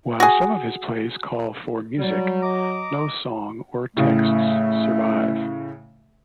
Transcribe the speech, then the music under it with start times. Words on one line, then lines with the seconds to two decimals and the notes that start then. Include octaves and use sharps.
While some of his plays call for music, no songs or texts survive.
0.20 F#4 G#4
1.99 F#3 G3
2.43 D#5 A#5 D6
3.97 A2 C#3 A3